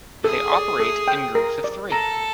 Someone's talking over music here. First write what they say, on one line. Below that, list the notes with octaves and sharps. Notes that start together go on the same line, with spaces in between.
They operate in groups of three.
G#4 A4
D5
A4
G5
A#4
D5
A4 A#5